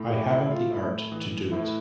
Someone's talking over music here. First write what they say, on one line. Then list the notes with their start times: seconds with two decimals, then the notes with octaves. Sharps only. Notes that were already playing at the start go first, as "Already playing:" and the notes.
I haven't the art to do it.
Already playing: A2
0.10 E4 G4
0.30 A2 E4
0.50 F4
0.70 A2 E4
1.12 E3
1.51 A2 E4